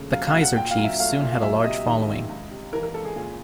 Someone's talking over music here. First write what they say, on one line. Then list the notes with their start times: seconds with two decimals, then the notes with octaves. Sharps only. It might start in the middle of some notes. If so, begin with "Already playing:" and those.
The Kaizer Chiefs soon had a large following.
Already playing: A#2 C#3 A3
0.13 F#3 F5
0.27 F5
0.34 D2
0.41 F#5
0.56 A#2 G5
0.71 F5
0.78 F#3
0.84 E5
0.99 A3 F5
1.21 A#2
1.32 F5
1.42 F#3 E5
1.64 C3 D#5
1.86 D#3
2.08 C#2
2.29 C#2
2.51 C3
2.73 E3 A#4
2.83 A#4
2.94 C#2 A4
3.05 G#4
3.16 A#2 G#4